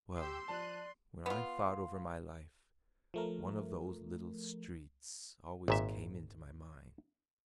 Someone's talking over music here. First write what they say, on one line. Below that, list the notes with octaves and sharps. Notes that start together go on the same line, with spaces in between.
Well, when I thought over my life, one of those little streets always came into my mind.
G4 C6 E6 G6
F3 D5 A5 F#6 D#7
B3 F4
F3 A3 A#4
G#1 A#2 E5